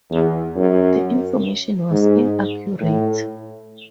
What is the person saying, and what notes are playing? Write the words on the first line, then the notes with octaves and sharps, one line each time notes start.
The information was inaccurate.
E2
F#2
G#2
A2